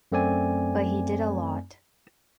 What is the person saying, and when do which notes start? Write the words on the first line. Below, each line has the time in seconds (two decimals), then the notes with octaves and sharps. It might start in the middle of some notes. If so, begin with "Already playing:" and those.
But he did a lot.
0.12 F#2 A3 C4 D5 G#5